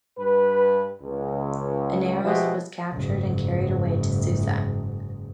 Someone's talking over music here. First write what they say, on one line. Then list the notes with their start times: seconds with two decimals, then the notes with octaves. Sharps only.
Inaros was captured and carried away to Susa.
0.17 G2 B4
1.02 C#2
2.23 B2 F3 G#3 E4 G4
2.93 F#1 G#2